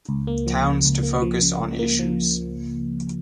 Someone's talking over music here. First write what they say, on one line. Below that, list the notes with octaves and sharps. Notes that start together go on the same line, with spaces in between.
Towns to focus on issues.
C#2
A#3
F3
C#3
C#2
A#3
F3
C#3
C#2
A#3
F3